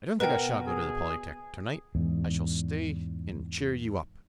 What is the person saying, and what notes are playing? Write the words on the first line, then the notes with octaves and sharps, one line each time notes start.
I don't think I shall go to the Polytec. to-night; I shall stay and cheer you up.
B2 A#4 B4 G5
G#4
E2 G#2